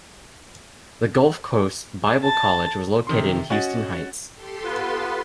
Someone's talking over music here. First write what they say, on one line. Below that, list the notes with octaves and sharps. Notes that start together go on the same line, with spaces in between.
The Gulf Coast Bible College was located in the Houston Heights.
A5
C3 D#3 C6
C#4 F#4 D#5 F#5 A6
G4 A4 C6
B3 F4 B4